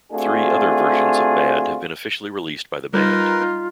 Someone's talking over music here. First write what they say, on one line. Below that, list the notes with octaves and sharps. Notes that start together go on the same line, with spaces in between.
Three other versions of "Bad" have been officially released by the band.
A3 C4 D4 F4 F#4 G#4
G3 D#4 F4 A#4 B4